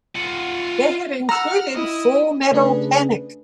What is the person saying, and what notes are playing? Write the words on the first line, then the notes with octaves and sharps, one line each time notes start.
They had included Full Metal Panic!
F4 F#5
F#5 A#5 E6 F6
E4 D#5
C#3 A3 D4 G#4 B4